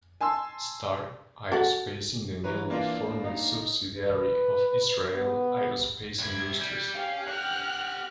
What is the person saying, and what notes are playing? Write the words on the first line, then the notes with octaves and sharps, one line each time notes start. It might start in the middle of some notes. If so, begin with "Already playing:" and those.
Stark Aerospace is the newly formed subsidiary of Israel Aerospace Industries.
G#5 A5 C6 E6
F#4 A4 F#5
E3 B4 C#5 A#5
A#3 D4 F4
D#4
B4
B3
C3 B5 G#6
G3
C#4 G4 F5
G4 F#5 G5 F6 F#6